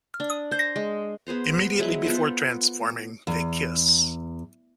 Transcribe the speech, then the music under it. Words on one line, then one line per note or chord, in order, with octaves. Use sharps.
Immediately before transforming, they kiss.
D4
C5
G#3
B3 G#4 C5 A#5
F#3 G#3 E4 G#4
B3 F4 A4 C5
E2